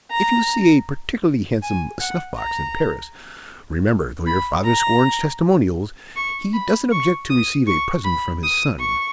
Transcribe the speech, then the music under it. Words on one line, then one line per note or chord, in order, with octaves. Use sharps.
If you see a particularly handsome snuff-box in Paris, remember--though your father scorns Testimonials--he doesn't object to receive a present from his son.
A#5
G#5
F#5
A#5
B5
A#5
C#6
B5
C#6
D#6
C#6
B5
D#6
C#6